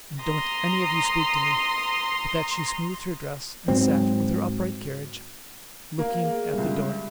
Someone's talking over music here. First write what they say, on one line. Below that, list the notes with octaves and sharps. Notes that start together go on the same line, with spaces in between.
And don't any of you speak to me!' With that she smoothed her dress, and sat, with her upright carriage, looking at the door.
A#5 C6 D#6
G#2 F#3 C4
A#3 F5
G#4
C#2 G2 E5